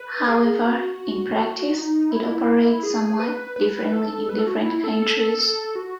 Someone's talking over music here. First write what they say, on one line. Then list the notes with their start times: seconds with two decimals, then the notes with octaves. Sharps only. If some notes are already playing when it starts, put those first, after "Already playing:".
However, in practice it operates somewhat differently in different countries.
Already playing: B4
0.28 G#4
0.64 F#4
1.74 D#4
2.11 E4
2.83 G#4
3.19 B4
3.56 B4
3.92 A4
4.29 B4
4.38 A4
4.47 F#4
4.56 E4
4.66 E4
4.84 A4
5.02 A4
5.38 A4
5.75 F#4